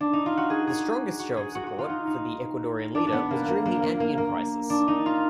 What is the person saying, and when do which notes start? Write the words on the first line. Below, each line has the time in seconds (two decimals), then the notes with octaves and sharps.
The strongest show of support for the Ecuadorian leader was during the Andean crisis.
0.00 D4
0.13 D#4
0.26 F4
0.37 F#4
0.50 G#4
0.67 G#4
1.19 F#4
1.37 G#4
1.55 F#4
1.67 F#4
1.78 F4
1.90 D#4
2.07 D#4
2.95 D4
3.07 D4
3.12 B3
3.31 A#3
3.48 A#3
3.66 A#3
3.83 A#3
4.00 A#3
4.18 A#3
4.70 D4
4.88 D#4
5.06 F4